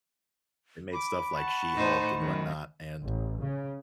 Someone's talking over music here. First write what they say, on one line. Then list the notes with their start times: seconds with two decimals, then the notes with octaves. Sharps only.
they made stuff like She-Hulk and whatnot, and
0.93 B5 D6
1.34 F#5 A5 C#6
1.74 A2 D#4 C5
2.20 F#2 D#3
3.02 A1
3.42 C#3